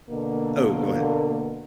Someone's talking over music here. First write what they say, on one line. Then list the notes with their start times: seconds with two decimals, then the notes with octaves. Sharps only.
Oh, go ahead.
0.10 B2 D3 A#3